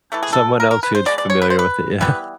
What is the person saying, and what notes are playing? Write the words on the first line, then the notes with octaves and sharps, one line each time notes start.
Someone else who's familiar with it. yeah.
E3 A3 A4
G#4
A4
A#4
A#4
B4
C5
B2 G#3 B3 D5
D5
C#5
B4
C5
B4
E3 G3 B3 B4